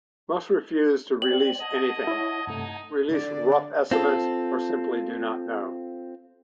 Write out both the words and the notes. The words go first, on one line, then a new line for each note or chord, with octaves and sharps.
Most refuse to release anything, release rough estimates or simply do not know.
C5 D5 G5 F#7
D#5 F#5 A5 G#6
E4 C#5
G2 C3 A3 D#4
D3 D5
C4 F4 A4